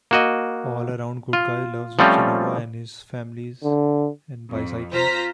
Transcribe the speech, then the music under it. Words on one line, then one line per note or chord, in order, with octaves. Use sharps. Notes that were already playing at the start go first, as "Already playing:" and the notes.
An all around good guy, loves Jehovah, his family and bicycling.
A#3 F#4 D#5
F4
F3 G3 A3 C4 C#4 F4
D3
F2
F4 C5 A#5 B6